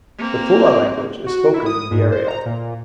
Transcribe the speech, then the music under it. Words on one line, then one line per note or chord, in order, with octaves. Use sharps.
The Fula language is spoken in the area.
A#3 C4
F#4
E4
D#6
G#2
C5
A#5
A#2